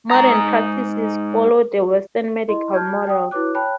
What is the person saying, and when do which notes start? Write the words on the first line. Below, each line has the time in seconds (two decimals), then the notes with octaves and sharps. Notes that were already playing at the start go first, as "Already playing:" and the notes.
Modern practices follow the Western medical model.
0.11 G#2 A#5
2.48 E4 D#5 C6
2.74 F#4 A5 F6 G6 G#6
3.07 G5 D#6
3.31 E4 F#4 B4 C#5 D6 F#6
3.54 C#5 G5 A5 B5 F#6